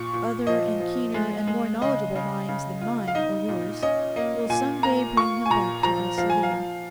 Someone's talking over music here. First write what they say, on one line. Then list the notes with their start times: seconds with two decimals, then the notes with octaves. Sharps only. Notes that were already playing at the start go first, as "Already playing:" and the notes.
Other and keener and more knowledgeable minds than mine or yours will some day bring him back to us again.
Already playing: A#2 C#6
0.13 A#2
0.47 F3 D#5
0.80 F3
1.14 G#3
1.48 G#3
1.81 C#3 D#5
2.15 C#3
2.49 C#3
2.81 F4
3.08 F5
3.15 D#4 D#5
3.48 A#2
3.83 C#4 D#5
4.16 A#3 D#5
4.50 A#2 G#5
4.83 A#3 A#5
5.16 F4 C#6
5.46 G#5
5.50 A#2 A#5
5.83 F3 A#5
6.18 F3 F5
6.30 G#5
6.43 F5
6.51 F3